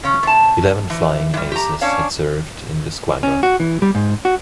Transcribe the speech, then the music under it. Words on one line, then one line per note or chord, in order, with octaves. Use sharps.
Eleven flying aces had served in the squadron.
C#3 C#4
C3 A5
E3
E3 G3
G4 A#5
C#4 D4 C#5 F5
C#4
F#4
E3
G3
G#2
F#4